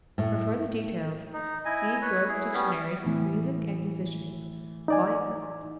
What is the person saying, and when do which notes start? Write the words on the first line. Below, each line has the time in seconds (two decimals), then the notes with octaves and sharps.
For further details see Grove's Dictionary of Music and Musicians, Vol.
0.18 A2
1.33 D#4
1.65 E4 D#5 G#5
2.02 B4 C#5
2.28 E4 G#4
2.54 G3 B3 C#4
3.04 A2 E3
4.88 D#4 D5 G#5